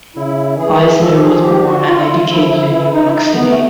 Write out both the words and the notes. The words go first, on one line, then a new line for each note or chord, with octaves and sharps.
Eisner was born and educated in New York City.
C#3 E4
E3 G#4
F3 A4
G4
G#4
G4
F#4
F4
E4
F4
F3 E4
E4
E3 E4
D#4
E4
E3 D#4
B3
A3